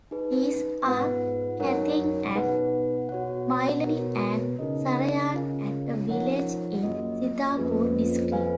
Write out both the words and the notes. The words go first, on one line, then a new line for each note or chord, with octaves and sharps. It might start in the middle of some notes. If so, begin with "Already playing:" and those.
These are Kathina at Mailani and Sarayan at a village in Sitapur district.
D#4 G#4 B4
G#2 B3 F4 B4 F#5
F#2 D#4 A#4 C#5 F#5
F#2
B2 D#4 G#4 B4 F#5
B2 F#4 C#5 F#5
F#4 A#4 C#5
C#3 B3 D#4 A#4 D#5
F4 A#4 F5 G#5
F3 D#4 A#4 C#5 F#5
F#2 A#3 F4 G#4 D#5
F2 A#3 C#4 F4 G#4 B4
F4 B4 F5 G#5